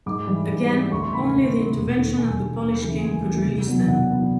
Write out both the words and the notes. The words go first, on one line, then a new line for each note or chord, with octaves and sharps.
Again, only the intervention of the Polish King could released them.
G#2 D6
E3 G3
G#2
E3 G3
D2 C#6
C6
C3 D#3 B5
D2
C3 D#3
E1
D#2 D3
E1 G#5
D#2 D3
D#2
C#3 E3 A3
D#2 G#5
C#3 E3 A3
C2
B2 F#3 B3 D4
C2 F#5
B2 F#3 B3 D4